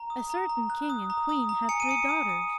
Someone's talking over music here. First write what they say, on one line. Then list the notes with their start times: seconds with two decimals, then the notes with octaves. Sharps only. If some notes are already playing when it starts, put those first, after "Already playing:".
A certain king and queen had three daughters.
Already playing: A#5
0.10 D#6
0.30 A#5
0.49 A#5
0.70 F#6
0.90 D#6
1.10 A#5
1.29 D#6
1.49 A#5
1.69 G#5 C#7
1.80 D#7
1.89 D#6 C#7
2.09 D#6
2.29 D#6